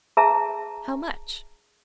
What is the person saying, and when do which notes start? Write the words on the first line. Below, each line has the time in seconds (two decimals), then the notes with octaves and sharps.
"How much?"
0.17 G#4 E5 A5 A#5